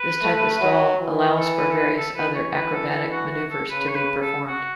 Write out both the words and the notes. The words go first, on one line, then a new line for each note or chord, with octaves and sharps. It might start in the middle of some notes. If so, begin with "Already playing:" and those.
This type of stall allows for various other acrobatic maneuvers to be performed.
Already playing: B4
A3
F#3
E3
A4
B4
A4
B4
A4
E3 B4
C#5
B4
A4
A4
F#4
F#4
A4
C#3 B4
C#5
B4
A4
F#4